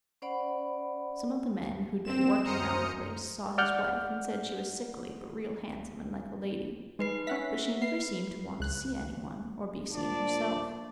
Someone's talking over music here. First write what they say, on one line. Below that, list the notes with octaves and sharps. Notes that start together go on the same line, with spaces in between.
Some of the men who'd been working round the place saw his wife and said she was sickly but real handsome and like a lady, but she never seemed to want to see anyone or be seen herself.
C#4 C5 D5 F#5 B5
C4 E7
F#2 C5 A#5 D#6 F6 C#7
D5 F#5 F6 G6
G#3 D#4 B4 C7
C#4 E5 F#5 B6
B4 C7
C#2 F#6
A#2 F3 D4 D5